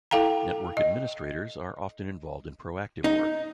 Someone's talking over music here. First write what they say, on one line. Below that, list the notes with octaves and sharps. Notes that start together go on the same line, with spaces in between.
Network administrators are often involved in proactive work.
E4 A4 F5 G5 A#5
D#5
D#4